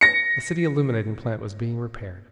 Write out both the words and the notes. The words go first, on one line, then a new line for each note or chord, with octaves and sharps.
The city illuminating plant was being repaired.
A#6 C#7